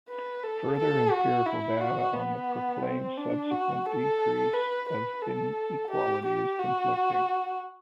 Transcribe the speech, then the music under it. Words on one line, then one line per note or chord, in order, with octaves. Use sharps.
Further, empirical data on the proclaimed subsequent decrease of inequality is conflicting.
B4
A4
A4
F#4
E4
F#4
B3
C4
D4
F#4
A4
B4
B4
A4
G4
G4
F#4